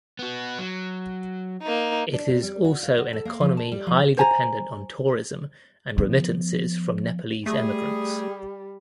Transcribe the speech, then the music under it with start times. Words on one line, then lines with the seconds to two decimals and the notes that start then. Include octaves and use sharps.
It is also an economy highly dependent on tourism and remittances from Nepalese emigrants.
0.19 B3 F#4
0.59 F#3
1.62 A#3 D#4
2.13 D4
2.29 C3
2.43 G3
2.64 F#4
2.83 F5
2.98 F#4
3.13 A4
3.25 A#3
3.40 F3
3.57 A5
3.72 G3
3.87 F3
4.17 C5 G#5 A#5
5.98 F3 B3
7.46 G3 A3 G#4